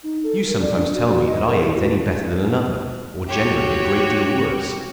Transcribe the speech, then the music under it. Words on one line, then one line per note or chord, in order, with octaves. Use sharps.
You sometimes tell me that I ain't any better than another,--or generally a great deal worse.
D#4
A4
A#4
D5
D4
F#4
F#4
D#5
A#4
E4
F#4
F#4 G4 C#5 G5